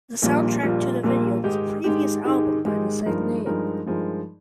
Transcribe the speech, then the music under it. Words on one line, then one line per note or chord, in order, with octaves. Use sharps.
The soundtrack to the video was a previous album by the same name.
A#1 A#2 G3 A#3 F4
A#1 A#2 G3 A#3 F4
A#1 A#2 G3 A#3 F4
G#2 D#3 G#3 D#4 G4
G#2 D#3 G#3 D#4 G4
G#2 D#3 G#3 D#4 G4
G#2 D#3 G#3 D#4 G4
G2 F3 G#3 D#4 A#4
G2 F3 G#3 D#4 A#4
G2 F3 G#3 D#4 A#4